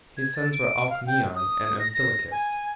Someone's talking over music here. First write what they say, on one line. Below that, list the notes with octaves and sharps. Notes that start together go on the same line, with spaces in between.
His sons were Alcmaeon and Amphilochus.
G#6
A6
D7
F5
G5
D#6
A#6
A#6
G#5